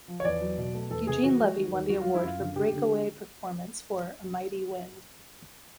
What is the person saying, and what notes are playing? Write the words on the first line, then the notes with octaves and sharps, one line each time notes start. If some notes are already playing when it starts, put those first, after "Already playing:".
Eugene Levy won the award for Breakaway Performance for "A Mighty Wind".
F3
C#5
E2 D5
F#3
B2
A3
E2 A4
C3 G#4
E3 F#4
G#3
D#3
D#2
G3 F#4
G3 F4
E4
F#2 F4
D3
D3 G4
D3